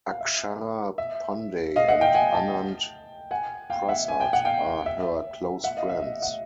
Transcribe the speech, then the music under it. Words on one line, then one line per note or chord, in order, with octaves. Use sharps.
Akshara pandey and Anand Prasad are her close friends.
F5
E5
E5
D#5 F5
E5 F#5
F5 G5
F#5 G#5
G5 A5
F#5 G#5
F5 G5
E5 F#5
G#5
G5
F#5
F5 G5
E5
E5 F#5
D#5 F5
E5
E5
E5 F#5